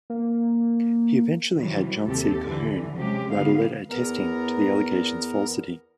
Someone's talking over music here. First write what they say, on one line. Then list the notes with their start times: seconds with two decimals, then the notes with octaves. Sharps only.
He eventually had John C. Calhoun write a letter attesting to the allegation's falsity.
0.10 A#3
1.55 C3 D#3 E3 F#3 G3
2.06 D#2 C3 G4 A4
2.44 D3 E3
2.94 C3 F#3 G#3 C#4 G4
3.29 D3 F#3 B3 F5
3.91 E2 B3 A#4 A#5